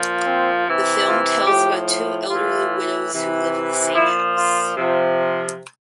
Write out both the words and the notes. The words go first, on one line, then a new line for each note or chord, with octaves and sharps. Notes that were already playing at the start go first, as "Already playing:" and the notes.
The film tells about two elderly widows who live in the same house.
Already playing: A#2 F3
C4
C3 E3
F4
A2 F3 G4
A2 E3 F4
C3 E3
A#2 F3 E4
F4
C3 F3